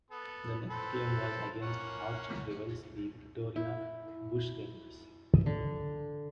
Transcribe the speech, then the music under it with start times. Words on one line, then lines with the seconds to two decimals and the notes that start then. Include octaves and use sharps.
The next game was against arch-rivals the Victoria Bushrangers.
0.11 B3 A4
0.70 C4 A4 B4
1.62 A#3 C#4 F#5
3.56 E4
5.46 D3